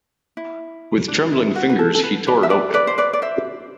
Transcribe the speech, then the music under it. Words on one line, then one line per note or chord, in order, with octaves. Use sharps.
With trembling fingers he tore it open.
E4
D4
E4
F#4
B4
A4
A4
B4
B4 D5
E5
B4 D5
B4 D5
C5
B4 D5
D5
C5 E5